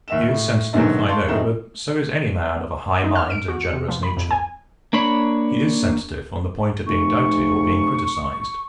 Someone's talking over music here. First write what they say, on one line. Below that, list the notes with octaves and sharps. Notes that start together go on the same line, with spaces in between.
He is sensitive, I know; but so is any man of a high mind and generous nature. He is sensitive on the point of being doubted or being criticised.
D#2 E5 E7
A2
A#1 G#2 B2 D3 D#3 F#3
F5 A5 C6 C#6
F1 A2 C4 D#4 E7
D#4
F6
D7
F#4
C#7
C3
F3
B5
F2
G#5
A#3 D4 C#5 B5
F1 C#6